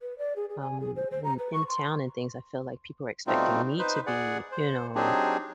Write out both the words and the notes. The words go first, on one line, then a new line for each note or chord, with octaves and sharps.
um, in in town and things I feel like people are expecting me to be, you know,
B4
D5
G#4
G#4
G#5
G#4
C5
C5
A#5
B4
C#6
C6
B2 G3 A3 C4 D#4 F4
D#4 B4 C5
G#4 D5 F#5
C5
F#3 C4 D4 D#4 G4 G#4